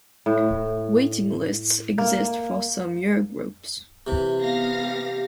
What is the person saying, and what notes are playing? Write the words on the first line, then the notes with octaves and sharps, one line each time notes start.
Waiting lists exist for some year groups.
A2
A#3
C3 E3
B3 F5 A#6
G4